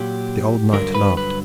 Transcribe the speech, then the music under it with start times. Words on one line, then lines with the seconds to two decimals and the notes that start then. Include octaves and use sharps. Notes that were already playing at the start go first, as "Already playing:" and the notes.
The old knight laughed.
Already playing: A#2 F#3 G4
0.73 G2 D3 F#3 A#4
0.95 B4
1.17 B4